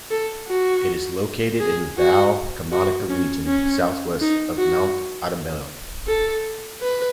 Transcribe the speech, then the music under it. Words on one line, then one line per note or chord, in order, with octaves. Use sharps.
It is located in the Val Camonica region, southwest of Mount Adamello.
A4
F#4
G#4
F#4
F#4
C#4
C#4
D#4
F#4
A4
B4